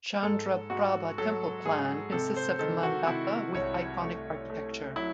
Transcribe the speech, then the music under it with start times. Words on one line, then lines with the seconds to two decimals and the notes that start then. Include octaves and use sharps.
Chandraprabha temple plan consists of the mandapa with iconic architecture.
0.23 G#2 A4
0.70 G#2 F#4
1.18 F#3 A4
1.65 G#2 G#4
2.12 C3 A4
2.36 C5
2.59 D#3 A4
2.83 F#4
3.07 C3 E4
3.54 C2 C#5
4.02 A3
4.50 A3
4.96 F#3 E4